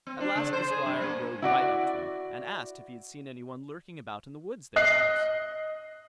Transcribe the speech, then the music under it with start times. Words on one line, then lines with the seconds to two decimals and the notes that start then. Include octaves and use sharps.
At last the Squire rode right up to him, and asked if he had seen any one lurking about in the wood thereabouts.
0.07 C4
0.21 D4
0.36 C#3
0.53 C5
0.70 G#4
0.86 G2
1.02 A#3
1.42 E4 F#4 D5
4.76 D#5 F#6 C7